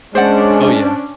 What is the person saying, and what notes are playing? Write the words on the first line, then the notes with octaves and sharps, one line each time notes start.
Oh, yeah.
G#3 C#4 D4 C5 D5 F#5